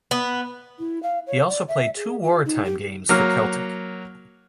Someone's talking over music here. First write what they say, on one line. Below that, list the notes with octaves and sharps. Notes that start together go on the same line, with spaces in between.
He also played two wartime games for Celtic.
B3
E4
F5
C#5
D5
E5
G#4
F4
D#4
G4
F#3 A#3 F6